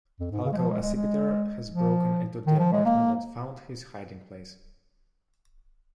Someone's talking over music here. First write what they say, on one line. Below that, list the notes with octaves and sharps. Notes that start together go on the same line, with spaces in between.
Falco Accipiter has broken into the apartment and found his hiding place.
F2
G#2
C#3
G#3
F3
G#3
G#3
G#3
F3
D#3
F3
G#3
A#3